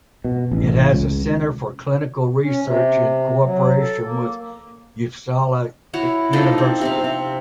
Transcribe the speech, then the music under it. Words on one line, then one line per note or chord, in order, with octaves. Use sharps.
It has a centre for clinical research in cooperation with Uppsala University.
B2
A1
C#2
C#4
C3
F#3
A4
A#3
E4 F#4 C#5
F3 D4 D#4 A4
C4
C3 C4 F5
C3